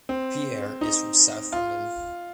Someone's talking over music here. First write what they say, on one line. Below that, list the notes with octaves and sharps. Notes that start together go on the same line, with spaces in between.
Pierre is from South London.
C4
D#4
F4